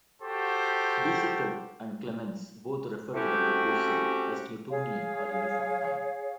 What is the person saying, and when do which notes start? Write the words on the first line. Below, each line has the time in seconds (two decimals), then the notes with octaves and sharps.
De Sitter and Clemence both referred to the proposal as 'Newtonian' or 'uniform' time.
0.22 F#4 G4 A4 C5
3.14 A3 C4 C#4 E4 F#4 G4
4.70 G#4 C#5 F5